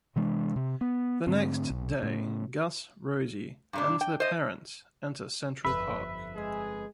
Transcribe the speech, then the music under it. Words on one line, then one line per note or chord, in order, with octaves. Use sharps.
The next day, Gus, Rosie, and their parents enter Central Park.
C3 E3 G#3 D4
C3
B3
G#2 D3 A3 C4
B1
A2 C#3
G2 C3 D4
G5
C5 D#5
G1 F2 B4 E5 B5
G#3 G#4